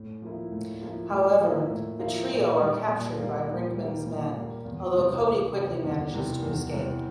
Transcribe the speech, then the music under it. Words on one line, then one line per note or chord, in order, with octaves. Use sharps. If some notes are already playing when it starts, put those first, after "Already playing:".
However, the trio are captured by Brinkman's men, although Cody quickly manages to escape.
Already playing: A2
F3 A#3 E4
A2
F3 A#3 E4
A2
F3 A#3 E4
A2
F3 A#3 E4
A#2
G3 A#3
A#2
G3 A#3
A#2
G3 A#3
A#2
G3 A#3
E2
C3 E3 G3
E2
C3 E3 G3
E2
C3 E3 G3
E2
C3 E3 G3